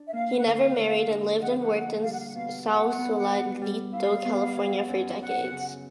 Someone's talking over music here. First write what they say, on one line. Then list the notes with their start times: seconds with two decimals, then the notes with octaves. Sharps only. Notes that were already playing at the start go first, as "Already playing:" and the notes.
He never married, and lived and worked in Sausalito, California for decades.
Already playing: D4
0.08 E5
0.13 A#3 F5
0.38 F#5
0.45 D3 F5
0.77 D3
1.08 D3
1.40 F3 F#5
1.49 F5
1.57 F#5
1.72 A#3
2.03 G3 F5
2.11 F#5
2.19 F5
2.29 F#5
2.35 B2 F5
2.66 E4 F#5
2.98 B3
3.30 G3
3.62 G3
3.93 E4 F5
4.25 B3
4.57 F#3
4.88 F#2
5.20 F#2 F#5
5.52 C#3